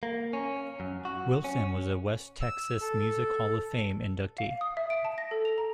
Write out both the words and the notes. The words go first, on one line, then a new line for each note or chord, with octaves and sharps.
Wilson was a West Texas Music Hall Of Fame Inductee.
A#3
C#4
F#2
F#4
C#4
E6
A4
F5
D#6
E5
D7
A5
A#6
A4
F7
A#5